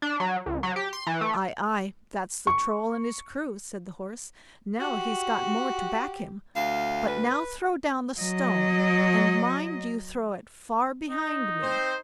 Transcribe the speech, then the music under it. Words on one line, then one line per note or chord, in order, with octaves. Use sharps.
'Aye, aye, that's the Troll and his crew', said the Horse; 'now he's got more to back him; but now throw down the stone, and mind you throw it far behind me.'
D4
F#3
C#2
F#3
G4
C6
E3
A3
C#6
F#4 G4
D2 F5
B4
F#3 D#5
D#4
C4 C5